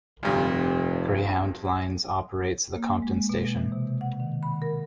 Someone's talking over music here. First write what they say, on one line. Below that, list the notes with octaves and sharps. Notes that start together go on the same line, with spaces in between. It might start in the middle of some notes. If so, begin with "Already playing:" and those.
Greyhound Lines operates the Compton Station.
F1 D2 G2 C3
A#3
G#3
B2
E3
C3
F#5
D#3
B5
A#4